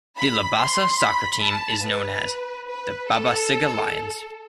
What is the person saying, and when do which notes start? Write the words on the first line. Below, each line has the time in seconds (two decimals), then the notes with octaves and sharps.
The Labasa soccer team is known as the "Babasiga Lions".
0.17 B5
0.60 C6
1.01 B5
1.42 A5
1.83 B4
2.67 B4
3.09 A4